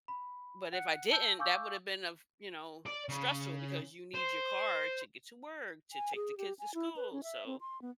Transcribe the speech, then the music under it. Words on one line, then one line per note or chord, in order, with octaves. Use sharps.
but if I didn't, that would’ve been, uh f you know, stressful because you need your car to get to work, to take the kids to school, so
B5
F#5 F#6 C#7
A5 E6 G6
F5 G#5 C#6 D6 E6 G6
D5
C#3
C5
G#5
G#4
G4
G#5
E4
B4
C#4
E5
C4
C6
B3